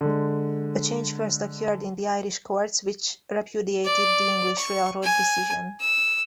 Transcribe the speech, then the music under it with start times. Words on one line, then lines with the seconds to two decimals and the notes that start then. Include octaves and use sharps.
A change first occurred in the Irish courts which repudiated the English railroad decision.
0.01 D3 G#3
3.85 D5
4.58 C#6
5.03 G#5
5.80 E6